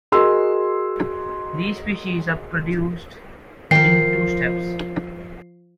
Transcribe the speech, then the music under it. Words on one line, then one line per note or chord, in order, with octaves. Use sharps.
These species are produced in two steps.
F#4 G#4 A#4 D#5 C6 E6
D#3 F3 A#4 G5 C7